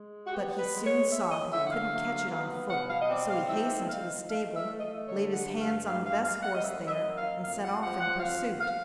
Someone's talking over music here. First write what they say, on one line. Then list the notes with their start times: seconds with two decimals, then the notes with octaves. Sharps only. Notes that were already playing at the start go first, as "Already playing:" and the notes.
But he soon saw that he couldn't catch it on foot, so he hastened to the stable, laid his hands on the best horse there, and set off in pursuit.
Already playing: G#3
0.26 F#4
0.32 B3 G4
0.59 B4
0.73 G#3
0.85 C#5
1.11 F#2 E5
1.31 D#5
1.50 D3 E5
1.64 F#5
1.70 F5
1.90 F#3
2.29 B3
2.69 B2 F#5
2.89 F5
3.00 D#5
3.09 C4 D5
3.29 F5
3.47 D#4 E5
3.88 D#4 F5
4.27 A3 F5
4.53 E5
4.65 A3
4.79 D#5
5.05 D3 C#5
5.31 F#5
5.45 G2
5.58 F5
5.85 G3 F5
6.04 F5
6.23 G3 F5
6.43 F#5
6.54 D#5
6.62 F#2 E5
6.84 E5
6.89 D#5
7.03 A#3
7.16 F5
7.42 F2 F5
7.62 F#5
7.80 F3 F#5
8.00 F#5
8.20 F2 F5
8.60 F5